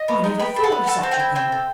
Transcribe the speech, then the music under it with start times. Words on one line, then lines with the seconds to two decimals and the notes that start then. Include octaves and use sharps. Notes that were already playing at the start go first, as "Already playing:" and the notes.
'I never thought of such a thing.'
Already playing: D#5
0.08 B3
0.24 D#4
0.39 B3 G5 B5
0.56 A4
0.64 F#5 A5
0.72 B3
0.87 A4 F#5 A5
1.03 C4
1.11 E5 G5
1.20 E4
1.35 C4 E5 G5
1.52 A4